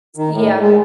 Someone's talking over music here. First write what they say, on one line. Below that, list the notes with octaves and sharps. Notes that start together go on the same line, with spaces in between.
S yeah,
D#3
A2
G#3